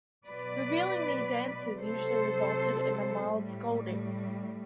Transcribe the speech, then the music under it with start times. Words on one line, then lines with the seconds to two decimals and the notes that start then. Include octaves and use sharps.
Revealing these answers usually resulted in a mild scolding.
0.25 B2 F#3 B4 D5
1.79 C3 F#3 A4 C5
3.33 A2 G3